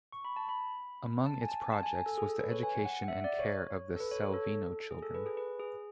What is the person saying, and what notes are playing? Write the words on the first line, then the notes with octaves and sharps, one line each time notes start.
Among its projects was the education and care of the Selvino children.
C#6
B5
A5
B5
A5
G#5
A5
A5
G#5
G#5
A4
G#4
A4
B4
C#5
G#5
F#5
F#5
E5
D5
C#5
A4
B4
C#5
C#5
A4
G#4
A4
B4
G#4
B4
G#4